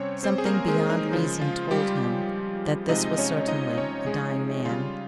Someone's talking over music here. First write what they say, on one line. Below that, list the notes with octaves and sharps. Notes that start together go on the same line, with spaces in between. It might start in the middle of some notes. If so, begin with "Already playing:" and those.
Something beyond reason told him that this was certainly a dying man.
Already playing: C3 G3 C4 C#4 C5 C#5
C4 C5
G#4
A#3 A#4
G#3 G#4
D#4
C#3 F3 G#3
F4
G3 G4
C3 F3 G#3 D#4 D#5
C#4 C#5
D#4 D#5
C#4 C#5
G#3 G#4
C#3 G3 F4